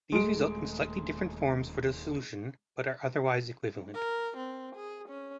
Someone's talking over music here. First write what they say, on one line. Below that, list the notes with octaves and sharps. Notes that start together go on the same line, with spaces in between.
These result in slightly different forms for the solution, but are otherwise equivalent.
D#1 G#3 A3 D7
A#4
C4
G#4
C#4